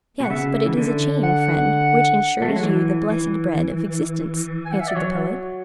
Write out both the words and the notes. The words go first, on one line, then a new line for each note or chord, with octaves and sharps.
"Yes; but it is a chain, friend, which ensures you the blessed bread of existence," answered the poet.
B2 F#5
C#3 E5
E3
D3
F#5
A3
G#3
F#3
E3
E3
G#5
F#5
E5
D5
F#3 C#5